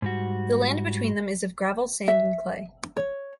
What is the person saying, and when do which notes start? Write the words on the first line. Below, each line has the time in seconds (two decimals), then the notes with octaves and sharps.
The land between them is of gravel, sand and clay.
0.02 G#2 G3 F#4
2.08 E5
2.97 C#5